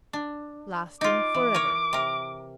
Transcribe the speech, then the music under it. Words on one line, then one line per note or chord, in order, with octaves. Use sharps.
Lasting forever.
D4
D#4 F4 D6
E3
A#4 C#5
C3 A#4